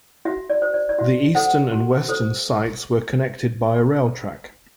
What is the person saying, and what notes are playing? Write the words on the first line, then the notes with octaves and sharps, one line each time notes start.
The eastern and western sites were connected by a rail track.
F#4 E5
D5
C5
D5
D5
F#4 E5
A4 C5 F#5
F#4
A4 C5